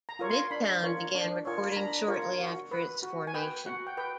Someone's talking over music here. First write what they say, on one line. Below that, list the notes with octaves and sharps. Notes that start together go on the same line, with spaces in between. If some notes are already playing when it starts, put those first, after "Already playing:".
Midtown began recording shortly after its formation.
A#5
F4 A#4 C#5
C6
D4 B5
F4 A#4 C#5
D4
F4 A#4 C#5
B5
D4 A#5
F4 A#4 C#5
F#4
B4
F#4
G#5
B4 G5
F#4 F#5
G5
B4 G5